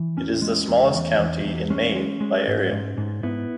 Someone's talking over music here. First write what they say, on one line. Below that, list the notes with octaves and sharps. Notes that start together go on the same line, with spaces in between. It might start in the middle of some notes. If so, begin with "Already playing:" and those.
It is the smallest county in Maine by area.
Already playing: E3
E2 C#4
G#3
E2
E2
E2
E2
G#3 C#4
G#3
G#3
G#2
G#2
G#2
G#2 B3 E4